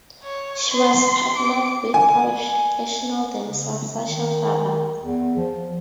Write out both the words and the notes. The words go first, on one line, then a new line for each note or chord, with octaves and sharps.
She was partnered with professional dancer Sasha Farber.
C#5
C6
D6
G#5
C#3
D#3
E2
F3